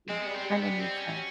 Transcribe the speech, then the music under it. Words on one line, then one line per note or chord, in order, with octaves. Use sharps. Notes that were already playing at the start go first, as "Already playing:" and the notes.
"You kinda need to
G#3 C4
G3 B3
C4
G3 B3
B3
C4
C#4
F#3